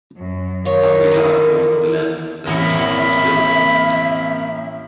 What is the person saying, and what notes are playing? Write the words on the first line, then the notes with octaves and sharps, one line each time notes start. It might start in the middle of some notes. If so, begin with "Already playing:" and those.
Aguilar owned the land that the town was built on.
F#2
D#3 F4 A#4 C#5
D3 B4
A1 A#3 C4 E5 B5 C#7